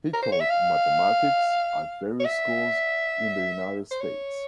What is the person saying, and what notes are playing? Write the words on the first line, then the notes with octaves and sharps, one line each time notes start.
He taught mathematics at various schools in the United States.
A#4
C5
C#5
E5
F5
C#5
E5
C5
C#5